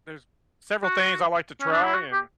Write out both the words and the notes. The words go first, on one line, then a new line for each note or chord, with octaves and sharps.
there's several things I like to try, and,
F#4
C#4
D4
E4
F#4
G4